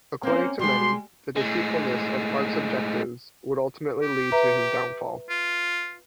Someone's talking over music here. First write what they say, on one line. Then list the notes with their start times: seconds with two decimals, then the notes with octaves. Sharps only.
According to many, the deceitfulness of Park's objectives would ultimately lead to his downfall.
0.23 A#3 C4 C#4 C5
0.59 G3 G#3 B3 G4 C6
1.37 A2 G#3
4.02 G4
4.32 B4 E5 A#5
5.29 F4